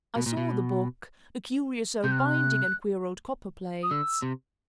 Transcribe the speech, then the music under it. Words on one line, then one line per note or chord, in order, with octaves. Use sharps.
I saw the book--a curious old binding and queer old copper-plates.
B2
A#2
B2
C3 G6
F#6
F6
F#6
D#6
D3 E6
C3